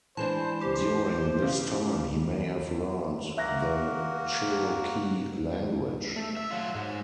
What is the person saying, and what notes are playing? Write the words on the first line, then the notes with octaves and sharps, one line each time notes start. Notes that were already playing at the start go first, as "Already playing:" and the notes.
During this time he may have learned the Cherokee language.
E3 G#3 D4 C5 A5
G4 C5
C#3
A#3 F#4 A#4 E5 F#6 A#6
A3
E5
F#3 F4
G#2 G#3